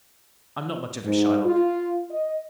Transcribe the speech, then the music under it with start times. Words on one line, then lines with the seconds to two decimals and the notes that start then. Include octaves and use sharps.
I'm not much of a Shylock.
1.03 G#2
1.45 F4
2.11 D#5